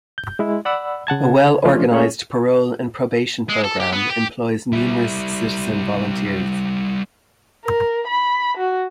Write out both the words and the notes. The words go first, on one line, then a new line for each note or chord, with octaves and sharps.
A well-organized parole and probation program employs numerous citizen volunteers.
G6
G#3 E4
D5 F#5 B5 E6
C#3 F#5 A5 G#6
F3 A3 C#4 D4 F4
A3 C#4 G#4 C#5
G#3
A4
G4
B3
G4
G3 E4
A#4
B5
F#4